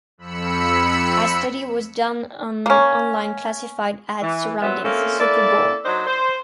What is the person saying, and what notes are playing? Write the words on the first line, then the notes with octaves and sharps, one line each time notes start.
A study was done on online classified ads surrounding the Super Bowl.
F2 B5 E6 C#7
A#3 C#4
E3
F#2 F#3 B3 C5 E5
A#3 C4 C#4 F4 A4 E5
A#3 E4 A4 D5
F#3 D4 D#4 C5
C5